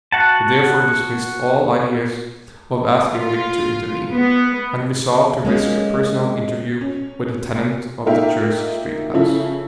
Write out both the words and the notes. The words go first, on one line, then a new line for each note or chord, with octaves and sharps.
He therefore dismissed all ideas of asking Link to intervene, and resolved to risk a personal interview with the tenant of the Jersey Street house.
F#4 F#5 A5
F4
B3
G#3 A#3 C#4
C#4
A#3 D#4 F4 E5 F5 G5
C#3 F3 C#4 E4 A4